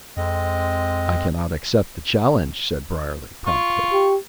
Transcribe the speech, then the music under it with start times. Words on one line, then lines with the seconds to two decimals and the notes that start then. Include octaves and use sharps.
"I cannot accept the challenge," said Briarly, promptly.
0.17 F2 G#3 C4 D#5
3.47 F4 C#6
3.92 G4